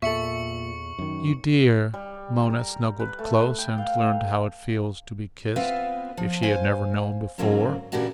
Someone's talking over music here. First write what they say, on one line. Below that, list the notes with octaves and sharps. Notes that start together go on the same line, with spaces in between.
"You dear!" Mona snuggled close and learned how it feels to be kissed, if she had never known before.
E2 A#2 A4 E5 C#6 C#7 F#7
F#2 D#3
G3
A#4
B4
A3
G5
F5
B3 C4 F4 B4 E5 F5
F3
C5 F5 G#5
G#2 D3 F#3 A#3 C4 C#4
A#2 C#3 E3 D4 F#4 G4